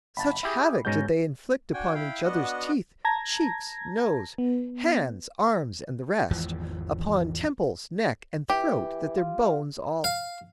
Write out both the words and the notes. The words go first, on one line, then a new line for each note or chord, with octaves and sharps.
Such havoc did they inflict upon each other's teeth, cheeks, nose, hands, arms, and the rest, upon temples, neck, and throat that their bones all ache.
G1 A5 B5
E4 G4 G#4
G#2 B2 G#3 C#4 A#5 G6
D4 F#4 G5 G#5
E4 F5 G5
B3 D4 F#4 D#5 F#5
A5 A#5 G#6 A#6
B3
G#1 E2 E3 F3
E3 G4
F4
F5